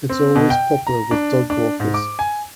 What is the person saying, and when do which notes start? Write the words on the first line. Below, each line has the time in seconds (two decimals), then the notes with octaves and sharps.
It's always popular with dog walkers.
0.09 C4
0.36 B2
0.50 G5
0.87 A#5
1.11 D4
1.50 D4
1.80 G#2
1.94 D6
2.19 G#5